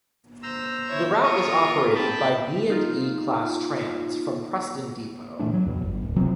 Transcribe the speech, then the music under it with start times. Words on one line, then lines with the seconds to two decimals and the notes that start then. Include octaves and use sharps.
The route is operated by B and E class trams from Preston depot.
0.43 C5 A#5 E6
0.88 E4 C#5
1.23 F4 A#4 A#5 C#6 D#6
1.95 C4 G5 A5 B5
2.70 D#4 F4
5.39 A#2 E3 A3 D4
5.54 F#3
5.66 E2 B2
5.82 G1
6.02 D1
6.16 C3 F3 F#3 C4